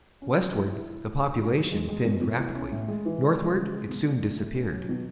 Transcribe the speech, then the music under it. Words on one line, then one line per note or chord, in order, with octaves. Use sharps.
Westward, the population thinned rapidly; northward, it soon disappeared.
C#4
F#3
E4
E4
E4
E4
D4
D4
F#3
G#3
G#3
B2
B2
E4
C#4
A2
G#3
E3
G#3
G#3
C#3
G#3
B2
D4
E4
A3
C#4
F#3
B2